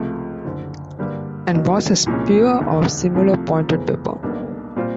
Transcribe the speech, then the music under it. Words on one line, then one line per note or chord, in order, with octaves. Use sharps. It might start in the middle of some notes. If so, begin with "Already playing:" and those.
An was a spear or similar pointed weapon.
Already playing: C#2 C3 F3 A3
F#1 F#2 D3
G2 D3 G3 A#3 D4
D#2 D#3 F#3
C2 A#2 F3 G#3 C#4
E1 D#2 D3
C2 C3 F3 A3
F1 E2 C#3 E3
B1 B2 G3 A#3 D4
A#2 G3 C4 F4